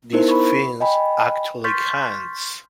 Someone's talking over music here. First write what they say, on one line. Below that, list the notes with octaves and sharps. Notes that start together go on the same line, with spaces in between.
These fins act like hands.
B3 D#4 E4 A#4 C5
B5 C#6
D#5 G5 G#5 B5
C6 C#6 F6 G6 A6 B6